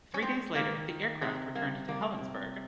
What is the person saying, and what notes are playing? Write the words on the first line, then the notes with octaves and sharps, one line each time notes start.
Three days later, the aircraft returned to Helensburgh.
C#4
G#3 C4
D#3 A#3
D#3
C3 G#3
G3 A#3
G3 A#3
C3